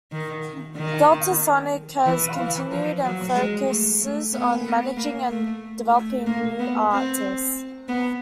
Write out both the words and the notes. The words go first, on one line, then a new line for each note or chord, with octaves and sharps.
Deltasonic has continued and focuses on managing and developing new artists.
D#3
D#3
E3
E3
F3
F#3
G#3
A3
A3
B3
B3
A#3
A3
A3
A#3
B3
C4
B3